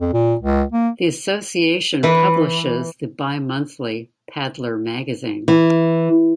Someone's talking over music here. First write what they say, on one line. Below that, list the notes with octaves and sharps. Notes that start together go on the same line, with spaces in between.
The Association publishes the bi-monthly "Paddler Magazine".
F2
A#2
C#2
A#3
E3 B4
E3